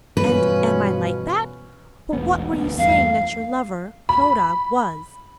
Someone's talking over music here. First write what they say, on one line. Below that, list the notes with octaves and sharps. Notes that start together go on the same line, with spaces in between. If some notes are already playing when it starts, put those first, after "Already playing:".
And am I like that?--but what were you saying that your lover, Clodagh, was?'
G2 B2 E3 F3 G3 C#4 B4
E1 A1 B3
D1 D2 B3
E2 G2 A3 F5
B5